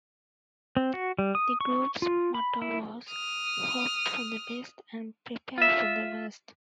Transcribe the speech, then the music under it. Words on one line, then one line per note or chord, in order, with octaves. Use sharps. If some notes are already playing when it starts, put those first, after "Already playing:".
The group's motto was "hope for the best and prepare for the worst".
C4
F#4
G3
D#6
C#6
F4
B5
E4
D#6 F6
F4 E5